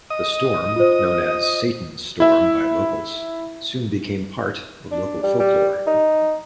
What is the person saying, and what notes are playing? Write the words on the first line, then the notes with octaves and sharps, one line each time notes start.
The storm, known as "Satan's Storm" by locals, soon became part of local folklore.
D#5 D#6
F4 C5
E4 E5
D4
G3
G3
D#4